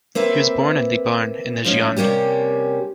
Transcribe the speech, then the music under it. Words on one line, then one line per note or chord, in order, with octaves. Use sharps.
He was born in Libourne in the Gironde.
A#3 C4 B4 E5
G#2 F3 C#4
C3 G3 A#3 C#4 G4